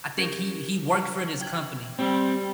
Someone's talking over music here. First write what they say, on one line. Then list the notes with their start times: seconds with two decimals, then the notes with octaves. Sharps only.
I think he he worked for this company,
0.18 C#4 G4 A#4
1.41 G5 G#6 F#7
1.99 G3 C4